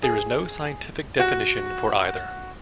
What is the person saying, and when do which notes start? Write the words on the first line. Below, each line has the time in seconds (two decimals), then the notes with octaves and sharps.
There is no scientific definition for either.
0.03 G#4
1.20 F#4